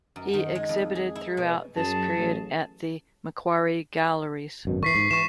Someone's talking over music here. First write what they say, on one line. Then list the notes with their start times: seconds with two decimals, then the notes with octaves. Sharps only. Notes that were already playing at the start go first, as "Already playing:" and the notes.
He exhibited throughout this period at the Macquarie Galleries.
0.16 F#2
0.33 D#3
0.55 G#3
0.69 F2
0.95 G#4
1.15 E4
1.37 B2
1.76 F#2 F#3 G#4 A5
2.18 A1
4.65 G#1 F#2 B2
4.83 D3 E3 C#6 B6 C7
4.95 G#2
5.11 E3 C#6 E7